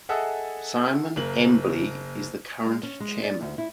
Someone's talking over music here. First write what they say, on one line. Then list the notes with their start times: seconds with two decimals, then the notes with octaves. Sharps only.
Simon Embley is the current Chairman.
0.09 G#4 A4 D#5 E5 F#5
1.16 F#1 A#3 F#7
2.66 G#3
2.83 C#4
3.00 G#3
3.23 D5
3.41 D2
3.58 E4